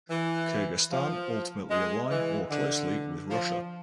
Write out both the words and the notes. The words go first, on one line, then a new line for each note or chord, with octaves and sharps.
Kyrgyzstan ultimately aligned more closely with Russia.
E3
F3
G#3
E3
D3
F3